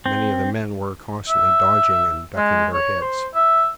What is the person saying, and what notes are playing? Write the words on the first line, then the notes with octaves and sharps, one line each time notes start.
Many of the men were constantly dodging and ducking their heads.
C4
E5
G#3
C#5
C5
E5